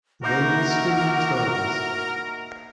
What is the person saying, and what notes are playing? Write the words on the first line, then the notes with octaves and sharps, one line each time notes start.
They will swing in turns.
A#3 D#4 E4 F#4 A#4 F#5